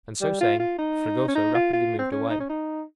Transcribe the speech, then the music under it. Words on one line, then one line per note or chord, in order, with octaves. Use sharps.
And so saying Fragoso rapidly moved away.
G3
F4
F4
D#4
C#4
D#4
F4
F4
C4
C#4
D#4
C#4
D#4